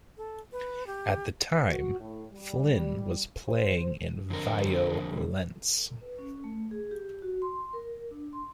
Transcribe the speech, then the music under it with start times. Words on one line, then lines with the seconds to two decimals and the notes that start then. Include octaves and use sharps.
At the time, Flynn was playing in Vio-Lence.
0.17 A4
0.52 B4
0.87 G4
1.68 F#4
2.00 A2
2.32 G3
3.48 C5
4.30 F2 D3 A#4
6.01 B4
6.19 C#4
6.44 A3
6.71 G#4
6.91 G4
7.22 F#4
7.42 C6
7.73 A#4
8.11 D4
8.33 C6